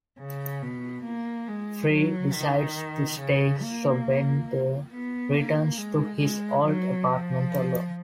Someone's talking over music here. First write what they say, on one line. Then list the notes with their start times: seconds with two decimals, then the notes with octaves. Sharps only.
Fry decides to stay, so Bender returns to his old apartment alone.
0.20 C#3
0.62 B2
1.05 A#3
1.49 G#3
1.91 F#3
2.34 D#3
3.20 C#3
3.63 A#3
4.92 B3
5.35 A#3
5.78 G#3
6.21 G#3
6.64 F#3
7.07 F3